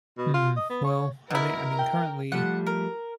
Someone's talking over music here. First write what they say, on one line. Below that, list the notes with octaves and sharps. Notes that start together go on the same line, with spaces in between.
Hmm, well, I mean I mean, currently,
B2
F4
D#5
B3
C#5
B2 E4 A#4
G5
F3 G3 A3 F#5
A#4